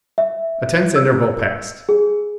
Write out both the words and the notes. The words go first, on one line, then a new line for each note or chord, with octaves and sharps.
A tense interval passed.
E5
E6
G#4